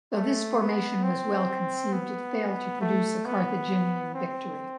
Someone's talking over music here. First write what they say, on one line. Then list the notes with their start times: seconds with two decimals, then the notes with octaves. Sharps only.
Though this formation was well-conceived, it failed to produce a Carthaginian victory.
0.15 A3
0.59 B3
1.03 C4
1.93 B3
2.81 A3
3.25 B3
4.14 C4